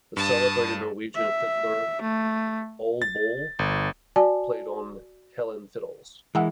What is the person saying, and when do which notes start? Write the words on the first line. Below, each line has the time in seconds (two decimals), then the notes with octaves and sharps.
The celebrated Norwegian fiddler Ole Bull played on Helland fiddles.
0.17 G2 A5 D#6
1.15 E5
2.02 A3
3.02 A6
3.59 G1
4.16 F#4 D5 G#5 A5
6.35 E3 G#3 A#4 E5 F#5